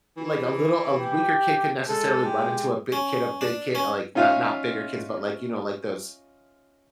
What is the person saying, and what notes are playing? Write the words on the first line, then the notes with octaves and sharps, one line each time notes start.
like, a little a weaker kid can necessarily run into a big kid a big kid, like not not bigger kids, but, like, you know, like, those,
E3
G4
G#3 A4
G4
C#4
D4
C#4
C#4 D#4 F4 E5 F5